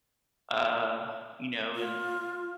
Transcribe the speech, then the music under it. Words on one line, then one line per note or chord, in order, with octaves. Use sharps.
uh, you know and
F4